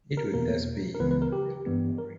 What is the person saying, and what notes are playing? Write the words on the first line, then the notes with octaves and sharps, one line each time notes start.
It would thus be a "memento mori".
A#4
E2 B2 A#3 A#4
A#4
C#2 C#3 E3 B3 B4
B4
A#4
G4
G2 E3 G3 B3
A#4